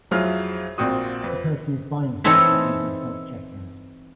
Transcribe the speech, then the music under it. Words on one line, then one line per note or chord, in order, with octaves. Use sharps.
A person is buying something using selfcheckout.
F2 F#3 E4 F4 G#4 F6
A#1 A#2 C4 F#4 D#6
F2 B4
E3 C4 D#4 A4 C#5 D#5